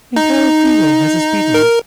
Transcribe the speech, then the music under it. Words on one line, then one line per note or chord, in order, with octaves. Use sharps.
The entire freeway has a speed limit.
D#4
A#4